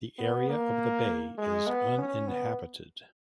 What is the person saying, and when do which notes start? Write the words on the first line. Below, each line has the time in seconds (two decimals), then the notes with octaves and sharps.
The area of the bay is uninhabited.
0.18 B3
0.49 A#3
1.38 G#3
1.67 B3
1.98 C#4
2.28 B3